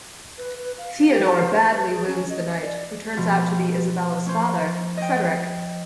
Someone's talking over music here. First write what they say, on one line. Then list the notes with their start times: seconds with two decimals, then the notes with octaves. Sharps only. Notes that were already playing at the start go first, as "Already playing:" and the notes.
Theodore badly wounds the knight, who turns out to be Isabella's father, Frederic.
0.38 B4
0.59 B4
0.78 F5
1.10 G4
1.26 A5
1.44 C5
1.74 B4
1.90 G#4
2.07 C#4
2.30 D#5
2.62 D5
3.17 B2 F3
4.26 C#4 C5
4.97 D#5 G5